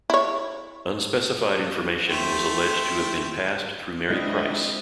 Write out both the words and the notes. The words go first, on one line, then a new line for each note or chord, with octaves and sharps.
Unspecified information was alleged to have been passed through Mary Price.
E4 C#5
A3 C5 G5
G#3 C4 D4 E4 F4 B4 D#5 E5